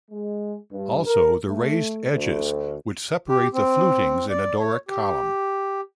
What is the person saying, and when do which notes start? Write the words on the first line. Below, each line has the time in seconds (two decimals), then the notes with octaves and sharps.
Also the raised edges which separate the flutings in a Doric column.
0.11 G#3
0.72 G2
1.05 A#4
1.48 A3
2.11 D2
3.29 G4
3.53 C4
4.30 D5
4.60 C#5
4.89 G4